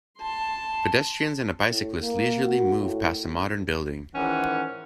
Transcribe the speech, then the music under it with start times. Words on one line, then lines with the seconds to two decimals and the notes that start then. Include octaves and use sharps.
Pedestrians and a bicyclist leisurely move past a modern building.
0.19 A5 C6
1.67 A2
2.02 A#3
2.44 F#4
2.79 A2
4.15 G#2 D#3 E3 C#4 F#5